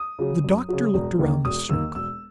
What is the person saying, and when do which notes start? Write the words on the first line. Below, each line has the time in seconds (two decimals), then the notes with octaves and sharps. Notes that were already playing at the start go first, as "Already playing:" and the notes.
The doctor looked around the circle.
Already playing: D#6
0.19 C#3 F#3
0.44 F#2
0.69 C#3 F#3
0.94 E1
1.19 D#2 D#3 A#3
1.45 E1 D#6
1.69 D#2 D#3 A#3 E6
1.95 E1 E6